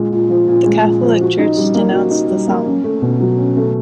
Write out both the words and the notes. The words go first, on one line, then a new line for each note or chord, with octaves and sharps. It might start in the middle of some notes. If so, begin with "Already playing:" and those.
The Catholic church denounced the song.
Already playing: A#2 G#3
A#2
F3
A#2
G#3
A#2
F3
F#4
D#4
G3
A#3
F#4
D#4
G3
A#3
C#4
A3
B2
F#3
C#4
A3